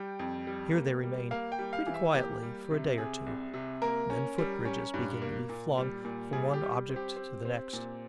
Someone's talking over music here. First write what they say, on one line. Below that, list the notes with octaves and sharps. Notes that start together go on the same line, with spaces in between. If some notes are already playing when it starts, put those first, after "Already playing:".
Here they remain, pretty quietly, for a day or two; then foot-bridges begin to be flung from one object to the next.
Already playing: G3 G5
F2
G3
A#3
G3
A#3 F5
G5
G3
F5
E3
E5
A#3 G4
G3
C3
C3 G#4
C2
C3
A#3 A#4
C#4
G3
C#4
G2
A#3
A#2
G3
A#2
G3 G#4
G4
G3
C4
G4
C4
C4
A#2